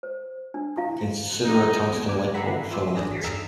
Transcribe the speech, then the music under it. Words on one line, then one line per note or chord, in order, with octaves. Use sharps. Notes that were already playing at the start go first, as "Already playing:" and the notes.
Consider a tungsten light-bulb filament.
C5
D4
E4 F5
D#4
E2 B3 G5 G#6
B4 D6 G#6
E5 F#5 A#5 B5 B6 C7
F4 E5 C6 D6
A1 G#2 D4 G#4 A#6
E2 G2 D#4 F5 A#5 E6